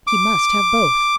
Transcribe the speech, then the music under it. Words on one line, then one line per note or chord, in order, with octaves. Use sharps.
He must have both.
D6